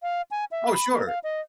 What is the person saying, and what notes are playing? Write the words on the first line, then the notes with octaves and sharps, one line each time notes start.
Oh, sure.
F5
G#5
E5
B5
A#3
F5
D#5